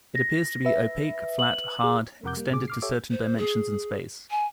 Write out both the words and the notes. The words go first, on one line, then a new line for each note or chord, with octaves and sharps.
It appears to be opaque, flat, hard, extended to certain dimensions in space.
A#6
B4 E5
F#7
G#4
F2 C3 A#4 F#5 D6 G6
G3 A#3
A#2 C#3 G#4 D6
D6 F6 C7
G4 A4 C#5 E5 D6
C5
G#4
G#5